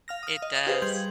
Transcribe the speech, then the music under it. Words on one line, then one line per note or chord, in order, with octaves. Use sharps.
it does.
F5 F6 A#6
D#6 F6
D#5
D#6
G4 G#4 B4 C5 F5
G3 C6 G6 G#6 F#7